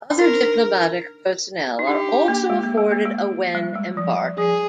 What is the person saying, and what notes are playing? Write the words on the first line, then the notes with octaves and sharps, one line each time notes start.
Other diplomatic personnel are also afforded a when embarked.
D4
D#4 A#4
D#4
D4 G4
A#3
G#3
A#3
G#3
A#3
G#3
G3
G#3
F3
F3
F3 G#4